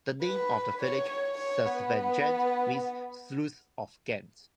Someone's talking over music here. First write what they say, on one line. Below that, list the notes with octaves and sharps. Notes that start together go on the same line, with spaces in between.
The name of the village, "Sas van Gent", means "sluice of Ghent".
B4
C#5
C#5
C#5
B3